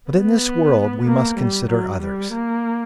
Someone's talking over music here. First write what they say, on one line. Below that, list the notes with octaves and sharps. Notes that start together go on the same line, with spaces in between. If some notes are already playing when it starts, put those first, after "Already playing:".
But, in this world, we must consider others.
B3
A#3
G3
F#3
G3
A#3